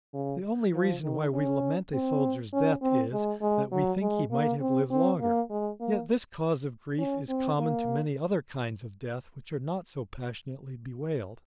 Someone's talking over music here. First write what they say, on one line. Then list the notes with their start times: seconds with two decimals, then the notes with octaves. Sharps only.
The only reason why we lament a soldier's death, is, that we think he might have lived longer; yet this cause of grief is common to many other kinds of death which are not so passionately bewailed.
0.14 C#3
0.74 F3
1.04 D#3
1.34 C#4
1.93 C4
2.53 C#4
2.82 C4
3.13 G#3
3.41 G#3
3.71 F#3
4.01 G#3
4.31 A#3
4.60 C4
4.91 C4
5.20 A#3
5.50 G#3
5.81 A#3
6.99 C#4
7.29 C4
7.59 A#3